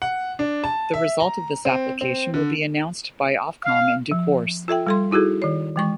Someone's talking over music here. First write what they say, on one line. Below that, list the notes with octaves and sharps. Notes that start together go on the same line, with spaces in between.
The result of this application will be announced by Ofcom in due course.
F#5
D4
A5
E5
A#5
C4
C4
D3
F5
F3
F4 A4 E5 G5
G3 A4 C6
D#4 E4 F#4 G#4 A4
D#3 C#5
E3 G#3 C#6